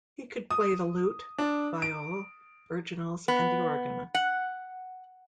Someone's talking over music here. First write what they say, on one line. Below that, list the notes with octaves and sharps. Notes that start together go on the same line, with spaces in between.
He could play the lute, viol, virginals and the organ.
D#6
D4
D7
B3
F#5